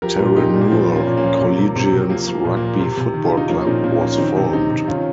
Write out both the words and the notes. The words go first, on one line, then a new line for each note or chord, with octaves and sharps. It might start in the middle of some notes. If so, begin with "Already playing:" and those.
Terenure Collegians Rugby Football Club was formed.
F3 G4 A#4
A#2
A#2 D#4 G4
A#2
A#3
F3 C4
F3
A#3 C#4
A#2
A#3 C#4
F3
C3 A#3
C3
C3 C4
C3
F3 A#3
F3
A#2
A#3
F3
C3
C3
D#3
F4
D#3
D#4
F3 A#3 C#4
A#2 C4 D#4
A#2 A#3 C#4
F3 A#3 C#4
D#3 C4 D#4
C3
D#3 C4 D#4
C3
D#3 C#4 F4